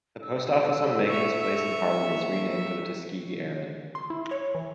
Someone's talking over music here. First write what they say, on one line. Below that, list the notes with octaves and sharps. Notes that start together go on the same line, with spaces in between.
The post office on Macombs Place in Harlem was renamed for the Tuskegee Airmen.
D4 A4 E6
E5 C#6 C#7 F7
A2 C#3 A#3
C6
E4
C#5
E3